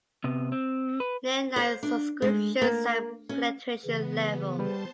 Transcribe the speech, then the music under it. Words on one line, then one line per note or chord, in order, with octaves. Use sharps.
Landline Subscriptions and Penetration level.
C3 B3
C4
B4
C5
D4
G#3
A#3
C#4
C#3 E3 B3
G3 B4 C5 A5 C6